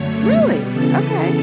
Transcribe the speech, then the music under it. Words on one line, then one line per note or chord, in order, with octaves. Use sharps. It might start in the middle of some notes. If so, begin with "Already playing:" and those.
Really? Okay.
Already playing: F#2 D3 A3 C#5
B2 G3 B3
C#3 E3 B3 A4